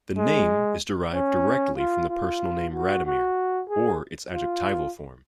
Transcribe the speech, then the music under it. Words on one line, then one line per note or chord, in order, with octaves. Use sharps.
The name is derived directly from the personal name "Radomir" or its adjectival form.
G#3
C#4
F4
F4
F#4
F#4
G#4
F4